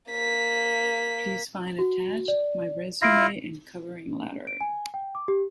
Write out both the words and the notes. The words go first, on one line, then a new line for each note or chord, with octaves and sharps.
Please find attached my resume and covering letter.
A#3 B6
F#4
D5
E4 F4 A#6 C7 D7
D7
G#5
G5
D6
G4